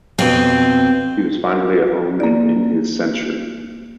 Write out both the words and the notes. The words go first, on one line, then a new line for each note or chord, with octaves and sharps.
He was finally at home and in his century.
F2 B2 C4
A#3 D5